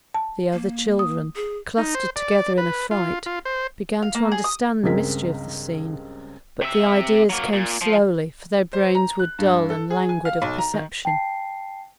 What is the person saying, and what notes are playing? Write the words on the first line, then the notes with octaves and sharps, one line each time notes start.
The other children, clustered together in affright, began to understand the mystery of the scene; but the ideas came slowly, for their brains were dull and languid of perception.
A5
A#3
D#6
G#4
D#4
C5
D5
B4
F4
F4
C5
F5
A#3
G#4
D#6
C#2 G2 C4 G#4 A#4 B6
C3 E5
F#3 A#3
A#2
F3
C5
A#5
F#6
G2
A4
G#4
G#5
F5
B1
A#5
D#3
G5 A5 C7